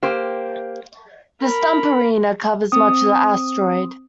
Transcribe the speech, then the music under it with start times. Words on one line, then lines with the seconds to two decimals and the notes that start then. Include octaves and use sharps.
The Stump Arena covers much of the asteroid.
0.03 A#3 G4 C5
1.42 A#4 B5
2.72 C4 D#6